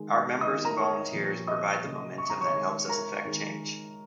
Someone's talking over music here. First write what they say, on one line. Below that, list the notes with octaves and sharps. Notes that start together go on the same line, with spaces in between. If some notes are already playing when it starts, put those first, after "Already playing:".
Our members and volunteers provide the momentum that helps us effect change.
Already playing: D#3 G#3
D#3 A#3 D#5 D#6
A#4 A#5
C#5 C#6
A#2 F3 A#3
D#5 D#6
C#3 A#3
C#6
A#5
C#5 C#6
D#3 G#3
A#4 A#5
D#3 G#3